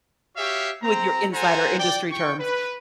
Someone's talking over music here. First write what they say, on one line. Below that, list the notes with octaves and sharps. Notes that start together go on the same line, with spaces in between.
With your insider industry terms.
F#4 G4 C#5 E5 F5
C4 A#5
A4 C5 F#5 G#5 A#5
D5 G5
G5 C#6
B4